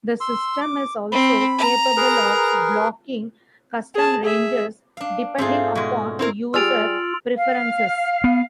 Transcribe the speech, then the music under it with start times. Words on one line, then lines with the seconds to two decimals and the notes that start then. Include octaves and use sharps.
The system is also capable of blocking custom ranges, depending upon user preferences.
0.20 C6 E6
0.61 D6
1.12 C4 B5
1.58 A#5
1.97 G#4 A#4 B4
3.95 G#4 A5
4.23 G#4 E5
4.97 D4 F5
5.38 G#2 A3 C4 F4 G#4
5.75 B2 G#3 F#4
6.19 C4 E4 A#4
6.54 G3 F4 G#4 E6 F6 A6 D7 F7
7.37 F5
8.24 B3